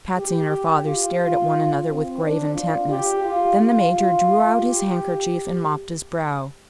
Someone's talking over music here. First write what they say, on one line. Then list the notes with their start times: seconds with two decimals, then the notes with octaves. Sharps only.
Patsy and her father stared at one another with grave intentness. Then the Major drew out his handkerchief and mopped his brow.
0.18 G4
0.86 F4
1.88 C4
2.22 D4
2.55 F4
2.89 G4
3.24 F4
3.57 F4
3.91 F4
4.59 G4